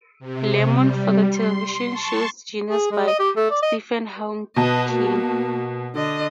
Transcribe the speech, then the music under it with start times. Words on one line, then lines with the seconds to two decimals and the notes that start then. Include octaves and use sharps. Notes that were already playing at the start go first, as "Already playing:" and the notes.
Lemmon for the television show Genius by Stephen Hawking.
0.19 C3
0.73 G3
1.31 C6
1.91 A5 C6 C#6
2.69 G#4
2.92 G#3
3.08 D#5
3.19 G4
3.36 A3
3.51 D5
3.63 D#5
4.56 B2 B4 D#5 A5
4.89 A#3 F#4
5.95 D3 D#5